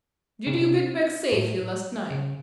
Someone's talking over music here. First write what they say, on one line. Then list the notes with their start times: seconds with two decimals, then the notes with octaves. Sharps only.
Did you get back safely last night?
0.47 C#3
0.55 C3
1.32 A2
2.11 C#3